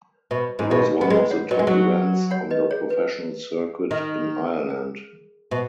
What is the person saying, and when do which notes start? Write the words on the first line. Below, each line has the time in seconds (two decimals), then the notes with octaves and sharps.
It was one of the top events on the professional circuit in Ireland.
0.31 B2 B4
0.59 G#2
0.70 B2 B4 D#5
1.01 B3
1.10 G#3 B4 D#5
1.31 C#5 F#5
1.51 F#3 B4 D#5
1.59 G#3
1.67 F#3
2.31 C#5 F#5
2.51 B4 D#5
2.71 G#4 C#5
2.90 B4
3.91 D#3
4.71 G#4
5.51 B2